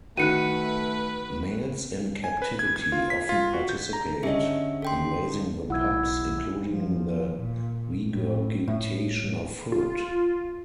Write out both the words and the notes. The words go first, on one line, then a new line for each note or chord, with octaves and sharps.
Males in captivity often participate in raising the pups, including the regurgitation of food.
D#3 A3 F#4 B4 F#6 C#7 D#7
G#5
B4
G#6
G#6
F4
B6
F4
F#4
G6
A#5
D3 C#4 G4 G#4 D#5 E5
A4 G5 C6
B1 E4 F#5 E6 G#6
F3
A#2
A2
A2
F4